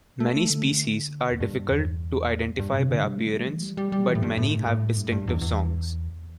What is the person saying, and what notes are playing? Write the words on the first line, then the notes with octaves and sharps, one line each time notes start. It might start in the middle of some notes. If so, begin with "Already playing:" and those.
Many species are difficult to identify by appearance, but many have distinctive songs.
A3
D3
E2
G2
E2
G2
C3
D3
G3
A3
G3
E3
G3
G3
G3
E3
A2
G2
A2
A2
G2
G2
E2
E2